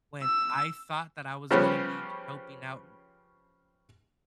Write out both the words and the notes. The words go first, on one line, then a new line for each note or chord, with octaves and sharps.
when I thought that I was gonna be helping out,
E6
C#3 F3 G3 B3 C#4